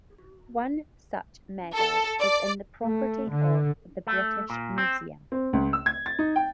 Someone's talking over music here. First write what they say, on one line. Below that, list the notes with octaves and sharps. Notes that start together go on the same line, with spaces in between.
One such medal is in the property of the British Museum.
A4
D5
A3
D3
A3
A#2
C4
C4
C#2
E6
G#6
A6
D#4
G5